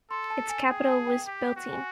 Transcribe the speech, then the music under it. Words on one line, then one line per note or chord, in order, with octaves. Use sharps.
Its capital was Biltine.
A4 C6
A5
G#5
G#4 G5
G#5
A5
G5
G4
F#4
G#5